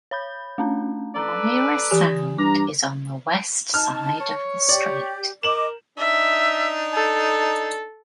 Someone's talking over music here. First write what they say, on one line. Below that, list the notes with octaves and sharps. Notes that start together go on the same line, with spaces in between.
Moira Sound is on the west side of the strait.
C#5 B5 G6
A3 C#4 D4
A4 B4 D5 A#5
E3 G4 G#5 D#6
G2 A#5 D6
D#4 A5 F6
C#5
G4 D5
A#4 D#5 D6 E7 F#7
D4 D#4 E5
A4